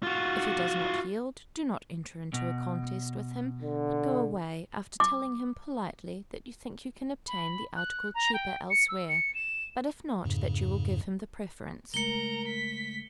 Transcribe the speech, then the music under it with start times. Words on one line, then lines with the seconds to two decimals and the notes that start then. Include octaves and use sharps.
If he does not yield, do not enter into a contest with him, but go away, after telling him politely that you think you can obtain the article cheaper elsewhere, but if not, that you will give him the preference.
0.03 F4 F#4
2.33 B2
3.63 D3
5.00 D6
7.28 B5
7.76 F#6
8.15 A#5
8.34 G5
8.70 C#7
8.89 E6
9.09 C#7
9.35 E7
10.25 F2 G#2 C#3
11.94 C#3 G#3 A3 A#4 A#5 C#7 G7
12.47 B6